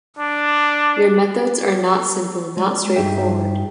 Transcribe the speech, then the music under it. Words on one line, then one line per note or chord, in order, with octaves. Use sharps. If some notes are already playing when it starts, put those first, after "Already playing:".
Your methods are not simple, not straightforward.
D4
G#3 D5
G2 D#4 G#4 E5 G5